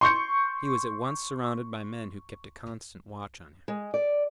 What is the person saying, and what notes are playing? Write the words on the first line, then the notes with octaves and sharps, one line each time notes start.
He was at once surrounded by men who kept a constant watch on him.
C6 C#6 G6 C#7
G#3
D5